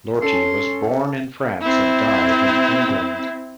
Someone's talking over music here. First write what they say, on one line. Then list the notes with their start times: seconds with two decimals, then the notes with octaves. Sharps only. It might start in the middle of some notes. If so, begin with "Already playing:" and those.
Lortie was born in France and died in England.
0.22 C#4 A4 C6
1.62 C4 E4